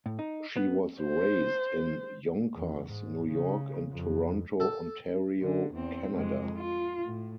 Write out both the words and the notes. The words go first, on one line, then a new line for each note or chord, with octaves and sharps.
She was raised in Yonkers, New York and Toronto, Ontario, Canada.
A2
D#4
B3
C5
E2
G#2
C#3
F2
A4
D3
E2 C4
F2 G#3
F4
A2